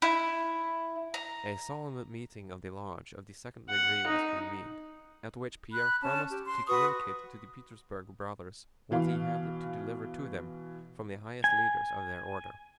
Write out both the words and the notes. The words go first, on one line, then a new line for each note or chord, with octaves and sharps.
A solemn meeting of the lodge of the second degree was convened, at which Pierre promised to communicate to the Petersburg Brothers what he had to deliver to them from the highest leaders of their order.
E4
A#5
F#5
D#4
B5 F#6
C#4 A5
G4
C6
F#4 B4 C#6 D#6
B2 E3 F5
G#5